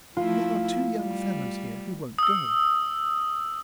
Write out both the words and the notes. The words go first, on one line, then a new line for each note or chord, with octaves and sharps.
"There are two young fellows here who won't go."
F3 A3 E4 F4
G3
D#6 E6